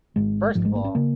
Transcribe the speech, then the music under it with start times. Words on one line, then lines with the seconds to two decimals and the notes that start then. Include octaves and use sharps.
first of all
0.16 G#1 G#2 G#3
0.55 G#1 G#2 F3
0.65 G#3
0.75 A#3
0.85 C#4
0.95 C#3 A#3